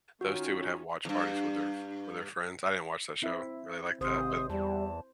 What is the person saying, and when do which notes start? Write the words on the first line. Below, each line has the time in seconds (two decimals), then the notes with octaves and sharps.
those two would have watch parties with their f with their friends. I didn't watch that show really like that, but
0.21 D#3 C#4 F4 F#4
1.05 E2 G2
3.22 C4 E4 E5
4.01 G#1 C3 C5 D#6
4.50 E2 G3 A5